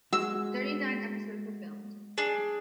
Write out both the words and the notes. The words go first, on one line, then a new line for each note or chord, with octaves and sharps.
Thirty-nine episodes were filmed.
G#3 F#4 E6
D4 G#4